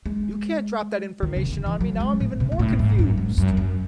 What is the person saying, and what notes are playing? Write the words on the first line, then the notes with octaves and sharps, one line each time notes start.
You can't drop that information on me. Now I'm even more confused.
G#3
D#3
C#3
D#3
E3
F#3
G#3
A2
C3
G#2
A2
G#2
F#2
G#2
F#2
F#2